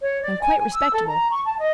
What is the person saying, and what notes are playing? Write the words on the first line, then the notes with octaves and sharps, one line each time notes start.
"I am quite respectable."
C#5
D5
G#5
G#5
E6
A4
A#5
C#6
A5
D#5